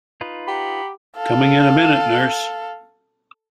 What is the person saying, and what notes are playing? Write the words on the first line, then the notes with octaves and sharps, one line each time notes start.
Coming in a minute, nurse!
D#4 F4 B4
G4 F#5 A#5 B5
A4 F5